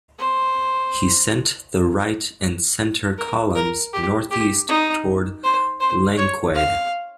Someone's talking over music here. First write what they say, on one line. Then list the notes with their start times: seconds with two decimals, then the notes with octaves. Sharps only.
He sent the right and center columns northeast toward Langquaid.
0.19 C5
3.18 A#4
3.55 A#4
3.93 G4
4.31 G4
4.69 D#4
5.44 C5
5.80 C5
6.18 C#5
6.55 F5